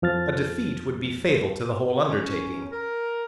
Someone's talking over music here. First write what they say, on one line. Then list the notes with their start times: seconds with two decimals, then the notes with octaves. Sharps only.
A defeat would be fatal to the whole undertaking.
0.02 F2 F3 F6 A6
2.09 C#4
2.72 A#4